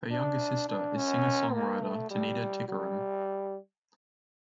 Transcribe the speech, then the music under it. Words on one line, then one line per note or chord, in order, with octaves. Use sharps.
His younger sister is singer-songwriter Tanita Tikaram.
D4
D4
C#4
A#3
A3
G3
G3